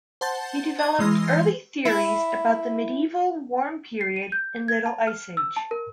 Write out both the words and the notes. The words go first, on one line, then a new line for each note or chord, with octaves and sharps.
He developed early theories about the Medieval Warm Period and Little Ice Age.
C5 F#5 A5 C6 G6 A6
D#5 C#6 G#6
E3 G#3 C6 F6 A#6
E4
C7
D#7
G6
G#6
A5
F6
E6
A5
A#4